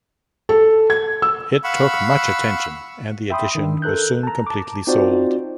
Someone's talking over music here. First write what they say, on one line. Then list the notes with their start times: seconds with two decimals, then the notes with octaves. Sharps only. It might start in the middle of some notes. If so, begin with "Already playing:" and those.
It took much attention, and the edition was soon completely sold.
0.49 A4
0.90 G#6
1.22 E6
1.64 F5 F#5 B5 C#6 E6
3.30 E5 G5 B5 C6 D#6
3.55 D#3 D4
3.82 A4 A#4 F#6 G6
4.23 A5 A#5
4.47 A5 D6
4.87 C4 D#4 F4 F#4 C5 D5